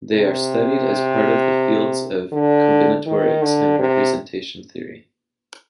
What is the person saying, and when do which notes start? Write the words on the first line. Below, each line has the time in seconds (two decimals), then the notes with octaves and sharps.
They are studied as part of the fields of combinatorics and representation theory.
0.14 C3
2.33 D3
3.06 D#3
3.42 D3
3.79 C3